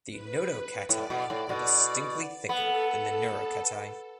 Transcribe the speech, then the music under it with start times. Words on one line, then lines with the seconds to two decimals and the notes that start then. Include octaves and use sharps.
The notochaetae are distinctly thicker than the neurochaetae.
0.10 B4
0.89 A2 D5
1.10 B2
1.30 A2
1.49 B2
2.49 B3 A4